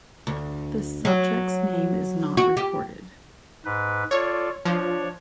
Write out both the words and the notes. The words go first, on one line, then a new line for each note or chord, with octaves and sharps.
The subject's name is not recorded.
D2
F#3
F#4
G4
G#2 B4
F4 A4 C#5 D5
F3 D4 C#5